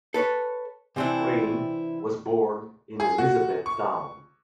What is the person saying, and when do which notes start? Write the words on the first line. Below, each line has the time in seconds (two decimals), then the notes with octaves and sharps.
Crane was born in Elizabethtown.
0.14 A4 B4 C#5
0.96 C3 E3 C4 D4 E4
3.00 G#4
3.18 F#4
3.66 C#6